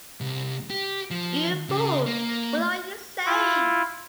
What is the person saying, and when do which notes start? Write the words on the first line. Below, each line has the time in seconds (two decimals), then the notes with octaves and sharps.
You fool! What are you saying?
0.21 C2
0.70 G4
1.11 F3
1.69 C#3
2.06 A#3
3.26 E4 F4